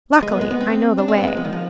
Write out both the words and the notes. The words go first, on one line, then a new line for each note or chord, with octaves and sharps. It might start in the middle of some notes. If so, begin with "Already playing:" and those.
Luckily, I know the way.'
G#3
B3
G#3
B3
C4
D4
C4
B3
G#3
F3
D#3
F3